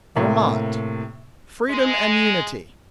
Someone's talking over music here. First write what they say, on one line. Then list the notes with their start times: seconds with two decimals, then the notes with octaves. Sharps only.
Vermont--Freedom and Unity.
0.16 A2 C3 A#3
1.70 G#3